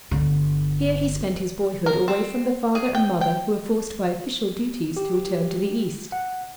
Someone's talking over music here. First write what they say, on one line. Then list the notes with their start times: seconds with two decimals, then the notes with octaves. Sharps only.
Here he spent his boyhood, away from the father and mother who were forced by official duties to return to the East.
0.11 G1 D3
1.86 A#4
2.08 C4
2.75 G#4
2.95 G5
3.21 G5
4.97 G4
6.12 F#5